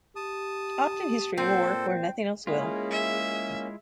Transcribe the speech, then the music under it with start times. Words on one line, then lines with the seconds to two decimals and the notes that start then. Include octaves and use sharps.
Often history will work where nothing else will.
0.16 G4 A5 D#6
1.38 A#2 C4 A4 C5
2.47 G#3 A#3 C#4 E4 F4 G#4
2.91 E5